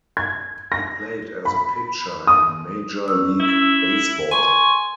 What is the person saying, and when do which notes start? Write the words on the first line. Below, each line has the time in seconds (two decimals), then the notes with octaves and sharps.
He played as a pitcher in Major League Baseball.
0.17 G#6
0.72 A#6
1.45 B5
2.27 D#6
3.08 C#4 E6
3.40 E4
4.31 G#5 C6 C#6